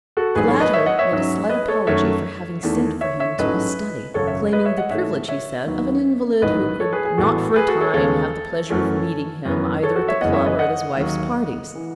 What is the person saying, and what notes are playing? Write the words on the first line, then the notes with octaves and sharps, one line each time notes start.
The latter made a slight apology for having sent for him to his study--claiming the privilege, he said, of an invalid, who could not for a time have the pleasure of meeting him either at the club or at his wife's parties.
F#4 A4
A1 G#2 F#3 G#4 B4
A4 C#5
B4 D#5
C#5 E5
D#5 F#5
C#5 E5
G#2 F#3 C#4
B4 D#5
A4 C#5
F#2 D#3 A3 C#5 E5
E2 D#3 A3
C#5 E5
C#5 E5
A1 G#2 F#3 A3 C#4 B4 D#5
G#1 F#2 C#3 A4 C#5
C#5 E5
B4 D#5
C#5 E5
D#5 F#5
G#2 E3 A3 C#5 E5
C#5 E5
D#2 D#3 F#3 B3
A1 G#2 D#3 F#3 B4 D#5
A4 C#5
G#4 B4
G#4
A1 A2 E3 B3 F#4 A4
G#4 B4
F#4 A4
A4 C#5
D#2 C#3 G#3 B3 A4 C#5
F#2 E3 A3 C#4
F#2 E3 B3
A4 C#5
F#4 A4
C#5 E5
F#1 F#2 E3 G#3 B3 D#5 F#5
C#5 E5
B4 D#5
D#5 F#5
D#2 D#3 F#3
E3